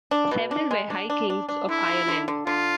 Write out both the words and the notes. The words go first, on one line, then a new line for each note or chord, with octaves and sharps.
Several were High Kings of Ireland.
D4
B2
D4
G#3
D4
D4
D4
D4
D3 E4
D3
D3
D3
D3 F4